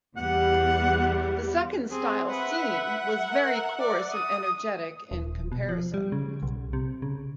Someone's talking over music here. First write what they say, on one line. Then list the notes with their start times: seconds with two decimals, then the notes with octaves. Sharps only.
The second style seen was very coarse and energetic in comparison.
0.17 E2 G3 F#5
1.91 C4 G#4
2.30 B4 E5 F#5
3.30 A#4
3.80 D5
4.13 D#6
5.11 D#1
5.52 B2
5.69 F3
5.94 G3
6.12 C#3
6.43 B1
6.73 C3
7.02 C#3